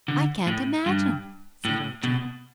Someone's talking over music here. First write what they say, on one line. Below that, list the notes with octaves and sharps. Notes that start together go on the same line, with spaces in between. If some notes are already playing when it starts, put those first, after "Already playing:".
"I can't imagine," said Ojo.
D3
A2
G2
A2
B2